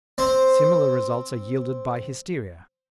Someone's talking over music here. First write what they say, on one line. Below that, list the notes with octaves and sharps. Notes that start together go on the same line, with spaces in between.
Similar results are yielded by hysteria.
C4 C5